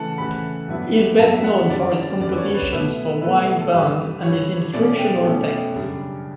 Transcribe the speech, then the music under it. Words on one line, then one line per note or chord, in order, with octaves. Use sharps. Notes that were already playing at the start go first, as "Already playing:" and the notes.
He is best known for his compositions for wind band and his instructional texts.
Already playing: C#3 E3 A3 F#5 A5
C#3 E3 A3 B5
G2 F#3 B3 E4
G2 F#3 B3 E4 A5
E5
F#5
F#2 D3 G3 D5
F#2 D3 G3 D5
B4
C#5
C#5
B4
B2 A3 E4 B4
B2 A3 E4 B4
A4
G2 E3 G3 B4
G2 E3 G3 C#5
B2 A3 C#4 E4 D5
G5
B2 A3 C#4 E4
F#2 C#3 G3 D4